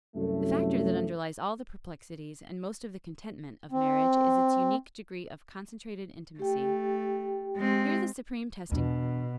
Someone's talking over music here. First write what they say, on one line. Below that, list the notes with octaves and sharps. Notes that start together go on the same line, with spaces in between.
The factor that underlies all the perplexities, and most of the contentment, of marriage is its unique degree of concentrated intimacy. Here the supreme testing always comes.
C2 F#2 A3
C4
A3 G4 G5
G#3 C4
E2 B2 D4